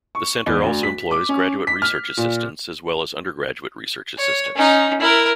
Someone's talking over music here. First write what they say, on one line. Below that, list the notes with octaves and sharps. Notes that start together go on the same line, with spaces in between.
The Center also employs graduate research assistants as well as undergraduate research assistants.
C#6
E2
D2
B6
D6
C#4
B6
F6
A#2
C#5
C#4 D#4
E4 A#4